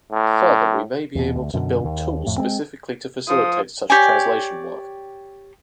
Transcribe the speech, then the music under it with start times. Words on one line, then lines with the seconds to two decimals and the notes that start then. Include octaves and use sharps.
Further, we may be able to build tools specifically to facilitate such translation work.
0.12 A2
1.15 E2 B2
1.36 D2
1.53 F#2 B2 D3
1.84 D#2
2.26 F2 A2
2.38 G#3 A#3 C4
3.28 F3 D#6
3.90 G4 C#5 D5 G#5